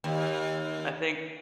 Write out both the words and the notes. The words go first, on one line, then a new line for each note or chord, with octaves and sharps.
I think
D#2